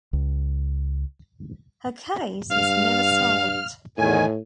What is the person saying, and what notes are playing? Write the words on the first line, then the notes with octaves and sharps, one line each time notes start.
Her case was never solved.
C#2
G2 F5 F6
E2 A2 D#3 G#5